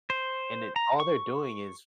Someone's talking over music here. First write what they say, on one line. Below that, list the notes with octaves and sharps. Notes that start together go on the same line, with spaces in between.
and it all they're doing is
C5
A#5
C#6